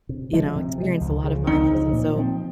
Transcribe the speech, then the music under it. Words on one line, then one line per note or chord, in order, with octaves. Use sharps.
you know, experienced a lotta violence. And so
C3
F3 G#3
C3
F3 G#3
C#2
C#3 F3
C#2 D#4
C#3 F3
A#2
F3 C4